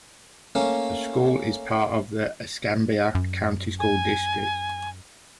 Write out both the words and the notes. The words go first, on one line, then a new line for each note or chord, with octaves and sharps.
The school is part of the Escambia County School District.
A3 A#3 C#4
F#2
G#5